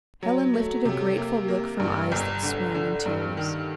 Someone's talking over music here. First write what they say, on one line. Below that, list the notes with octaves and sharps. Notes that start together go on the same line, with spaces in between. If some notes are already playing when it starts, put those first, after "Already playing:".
Helen lifted a grateful look from eyes that swam in tears.
F#3
A3
C3
A#3
A#3
G2
G1
D3
D3
G2
D#3